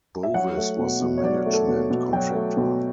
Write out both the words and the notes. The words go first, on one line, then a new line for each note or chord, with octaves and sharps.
Bovis was the management contractor.
E5
F#3 F#5
A3
B2
B2
C#5
F#3 D5
A3
A4
B2
B2
F#3 G5
A3
B2